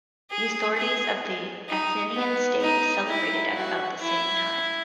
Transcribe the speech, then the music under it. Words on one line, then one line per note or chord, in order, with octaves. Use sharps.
The authorities of the Athenian state celebrated it at about the same time.
G#4
G#4
D#4
B3
D#4
E4
F#4
E4